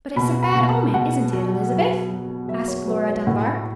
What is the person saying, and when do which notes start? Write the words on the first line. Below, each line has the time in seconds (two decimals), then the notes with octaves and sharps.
"But it's a bad omen, isn't it, Elizabeth?" asked Laura Dunbar.
0.16 B2 B5
0.43 B5
0.55 B2
0.68 A5
0.94 B2 F#5
1.33 F#3
1.72 F#3
2.10 F#3
2.48 F#3 E5
2.68 C#5
2.87 F#3 B4
3.07 C#5
3.27 A2 F#5
3.46 B5